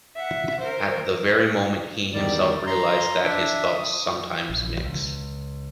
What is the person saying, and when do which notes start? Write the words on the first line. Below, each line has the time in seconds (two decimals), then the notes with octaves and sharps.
At the very moment he himself realized that his thoughts sometimes mix.
0.16 E5 F#5
0.60 A#4 C5
2.14 E2 D#3 G3 D5
2.66 A#5 C6
3.24 D4 E5
3.74 D#6
4.50 A#1
4.84 C#2